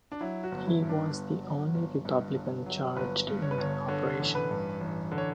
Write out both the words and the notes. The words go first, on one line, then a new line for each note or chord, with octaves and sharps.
He was the only Republican charged in the operation.
D4
F#3 E4
F#4
G1
E4
G2
D4
G1
F#3
G1
G2
G1
F#3
G1 B4
G2
C#5
B4
G1 C#5
D3 C#5
A1
B4
G2
A1
D3
C#5